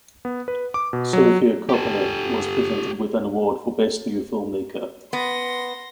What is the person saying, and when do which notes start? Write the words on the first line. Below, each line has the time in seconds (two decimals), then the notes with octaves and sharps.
Sofia Coppola was presented with an award for Best New Filmmaker.
0.25 B3
0.48 B4
0.74 D6
0.93 B2
1.13 F#3
1.69 G4 A4
5.13 B3 C6 A#6